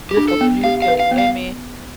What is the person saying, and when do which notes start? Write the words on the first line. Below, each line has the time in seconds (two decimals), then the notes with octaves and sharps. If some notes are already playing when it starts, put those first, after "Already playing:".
Just abusing women,
0.11 G4
0.17 D4
0.28 A4
0.41 B3
0.64 G4 F5
0.82 F5
0.88 B4
1.00 F5
1.11 B3
1.18 F5